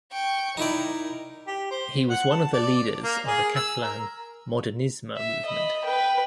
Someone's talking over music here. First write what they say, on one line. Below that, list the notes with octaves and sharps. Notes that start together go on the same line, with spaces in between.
He was one of the leaders of the Catalan "modernisme" movement.
G5 C#6
D#4 E4 A#4 D5
G4
C5
F#5
A5
D5
A#3
G#4
E6
A#4
E5
D#5 B5
B4 G5